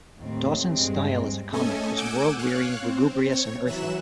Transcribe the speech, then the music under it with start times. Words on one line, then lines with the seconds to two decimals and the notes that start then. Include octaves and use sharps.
Dawson's style as a comic was world-weary, lugubrious and earthy.
0.18 D#2 A2 C4
0.73 G2 G#3 C4
1.53 A3 C#4 A4 D#5 G#5
1.97 F#5 G#5 D6 E6 G6 D7
2.39 C#5 F5 F#6
2.82 C4
3.32 C#5
3.67 E3 F#3 E5 F#6 E7